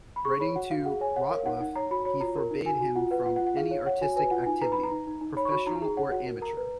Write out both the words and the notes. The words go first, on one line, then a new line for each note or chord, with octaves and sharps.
Writing to Rottluff, he forbade him from any artistic activity "professional or amateur".
B5
G#4 C#6
C#5 B5
F#4 F#5
F#4 F5
G#4 F#5
C#5 G#5
C#5 F#5
A#4 F5
D#4 F#5
D#4 F#5
C#5 A#5
F#4 B5
C#5 B5
F4 A#5
A#4
D#4
F#4 G#5
F#4
F4 F#5
B4 F#5
F4 F#5
F#5
F4
F#5
G#4 F5
C#5
C#5 F#5
F#4 G#5
B4 G#5
F4 F#5
D#4 G#5
B4 A#5
D#4 B5
A#5
D#4
D#4
D#4
C#5 B5
C#6
F#4 B5
D#4 A#5
G#4 A#5
C#5 F#5
F#4 F#5
A#4
A#4 A#5
B4